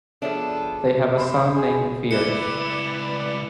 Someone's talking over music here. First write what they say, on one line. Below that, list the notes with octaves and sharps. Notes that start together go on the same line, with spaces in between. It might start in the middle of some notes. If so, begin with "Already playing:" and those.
They have a son named Veer.
F3 B3 D4 G#4 A4 C#5 E5
C5 B5
G#4
C#2 E4 B4 D5 C#7 G7